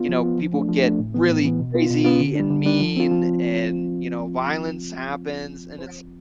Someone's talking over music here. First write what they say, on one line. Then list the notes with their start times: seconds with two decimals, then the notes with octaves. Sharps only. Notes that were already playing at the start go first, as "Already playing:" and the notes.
you know, people get really crazy and mean and, you know, violence happens, and it's
Already playing: B3 F4
0.09 F3
0.23 B3 F4
0.38 F3
0.54 A3 D4
0.69 F3
0.84 A3 D4
0.99 A2
1.14 E3 B3
1.30 A2
1.44 E3 B3
1.59 B2
1.74 B3 F4
1.90 B2
2.05 B3 F4
2.20 D3
2.35 G3 D4
2.50 D3
2.65 G3 D4
2.80 F3
2.96 C4 F4
3.11 F3